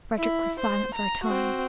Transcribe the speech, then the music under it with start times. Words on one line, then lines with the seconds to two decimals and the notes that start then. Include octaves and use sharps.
Frederick was silent for a time.
0.17 E4
0.59 C5
0.95 A#5
1.24 C4 F#4